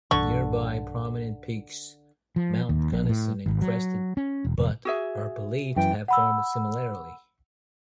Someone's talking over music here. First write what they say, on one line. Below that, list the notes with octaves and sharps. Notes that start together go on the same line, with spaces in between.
Nearby prominent peaks Mount Gunnison and Crested Butte are believed to have formed similarly.
B1 G2 D3 E3 C#6
F3
D#2
A#1
A2
G#1
F#3
C#4
E1
F1
F#4 G#4 E5
F#2 E3 G5
F#5 B5 E6